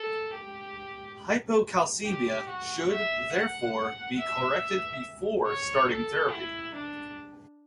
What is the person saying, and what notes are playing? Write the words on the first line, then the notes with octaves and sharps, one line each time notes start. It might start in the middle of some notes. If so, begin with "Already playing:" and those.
Hypocalcemia should, therefore, be corrected before starting therapy.
Already playing: A4
G4
G4
F#4
E5
F#5
E5
C#5
A4
E4
D4